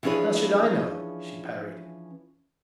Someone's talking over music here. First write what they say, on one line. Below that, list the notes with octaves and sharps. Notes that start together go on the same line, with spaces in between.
"How should I know?" she parried.
E3 F3 C#4 D4 G#4 B4